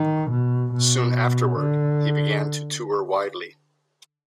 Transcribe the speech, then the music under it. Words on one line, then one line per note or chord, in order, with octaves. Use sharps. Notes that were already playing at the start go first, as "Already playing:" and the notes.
Soon afterward, he began to tour widely.
Already playing: D#3
B2
B2
D3